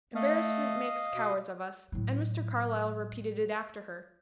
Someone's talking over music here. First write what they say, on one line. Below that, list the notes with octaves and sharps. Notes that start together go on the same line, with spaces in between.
Embarrassment makes cowards of us; and Mr. Carlyle repeated it after her.
A3 D#5 F5
B2
A2 F#3